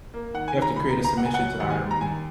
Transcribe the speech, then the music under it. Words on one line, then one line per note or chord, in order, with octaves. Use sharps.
you have to create a submission to the IRB.
A#3
D#3 F#5
G#5
D#3
A#5
C#2 B5
A#5
B3
A#5
C#2 F#5
G#5
F#3 F#5
D#2 F#5
G#5
D#2
A#5
D#3 G#5